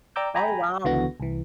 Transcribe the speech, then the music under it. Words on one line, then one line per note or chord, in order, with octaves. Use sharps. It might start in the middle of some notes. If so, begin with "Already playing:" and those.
Oh, wow.
D5 G5 A#5 D6 E6 G6
G5 G#5 A#5 B5
C#2 D3 E3 B3 F#4 A#6
C2 E3